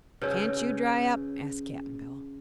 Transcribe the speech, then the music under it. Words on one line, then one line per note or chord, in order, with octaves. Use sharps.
"Can't you dry up?" asked Cap'n Bill.
C#3 B4 C#5 E6